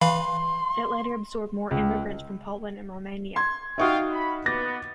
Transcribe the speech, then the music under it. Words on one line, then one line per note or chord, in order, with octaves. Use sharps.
It later absorbed more immigrants from Poland and Romania.
E3 F5 B5 C6
C#2
C6 G#6
D#4 F4 F#4 E5 F5 G5 C#6 D#6
B5
B3 D6 A6 A#6